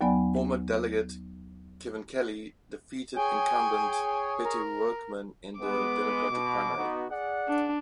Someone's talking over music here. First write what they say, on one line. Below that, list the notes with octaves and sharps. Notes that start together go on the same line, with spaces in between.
Former delegate Kevin Kelly defeated incumbent Betty Workman in the Democratic primary.
D#2 F#3 B3 D5 G#5 B5
G#4 C#5 G5 G#5
A#4
G#3 B3 D6
B2
B3 D#4 F#4
G#4 D5 F#5
D4